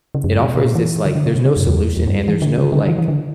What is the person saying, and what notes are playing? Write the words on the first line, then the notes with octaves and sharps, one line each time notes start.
it offers this like there's no solution and there's no, like,
C#3
F#2
G2
B2
B2
A#2
E3
D3
D3
C#3
B2
C#3
F#2
E2
E2
G2
E3
D3
C#3
D3
E3
E3
D3